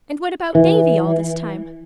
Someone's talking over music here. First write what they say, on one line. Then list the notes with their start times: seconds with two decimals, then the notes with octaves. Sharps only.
And what about Davy all this time?
0.55 E3